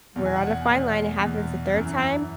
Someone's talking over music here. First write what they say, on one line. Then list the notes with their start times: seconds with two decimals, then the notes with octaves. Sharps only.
we're on a fine line. It happens a third time,
0.16 E2 B2
0.26 G#5
0.36 F#5
0.46 G#5
0.68 E2 B2
1.20 E2 B2
1.74 F#2 E3